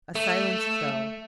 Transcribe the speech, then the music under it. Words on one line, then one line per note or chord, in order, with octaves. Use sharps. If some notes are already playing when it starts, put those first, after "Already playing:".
A silence fell.
A3